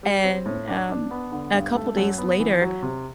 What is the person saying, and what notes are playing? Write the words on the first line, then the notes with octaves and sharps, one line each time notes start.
And, um, a couple days later,
G3
C4
A2
D4
D4
B3
D3
G2
A3
F#2
B3
E3
F#3
C3